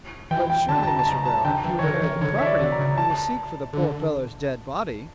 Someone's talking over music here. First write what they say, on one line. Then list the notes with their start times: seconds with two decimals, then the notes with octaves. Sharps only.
"But surely, Mr. Beryl, if you inherit the property, you will seek for the poor fellow's dead body?"
0.31 E3 G5
0.50 G5
0.69 D3 A5
0.83 A5
0.87 A#5
0.99 A5
1.07 C#3 A#5
1.26 A5
1.45 D3 G5
1.64 E3
1.78 E3 C#5
1.83 D3 A#4
2.02 E3
2.21 D3 C#5
2.39 E3 E5
2.46 D5
2.59 D3
2.72 A#5
2.79 C#3
2.97 A5
3.73 D3